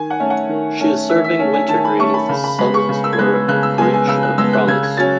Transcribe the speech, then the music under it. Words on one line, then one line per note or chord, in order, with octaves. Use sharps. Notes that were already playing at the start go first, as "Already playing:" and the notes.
She is serving Wintergreen with a summons for breach of promise.
Already playing: D#3 G#5
F#5
A3 C#4
F#5
D#3
A3 C#4
D#3 E5
E5
A3 C#4
G#5
D#3 A5
B5
A3 C#4 C#6
B5
C#3 B5
B5
G#3 B3 B5
C#6
C#3
E6
G#6
G#3 B3 F#6
C#3 F#6
E6
G#3 B3 G#5
G#5
C#3 E6
F#6
G#3 B3 E6
F#6
C#3 G#6
G#6
F#3 C#4 A6